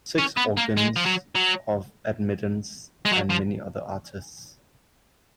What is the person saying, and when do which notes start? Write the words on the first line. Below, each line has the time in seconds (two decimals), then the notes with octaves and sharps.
Six Organs of Admittance and many other artists.
0.18 C#4
0.37 B3
0.57 A#3
0.77 G#3
0.96 F3
1.06 F#3
1.35 F#3
3.05 G#3
3.12 F#3
3.30 F3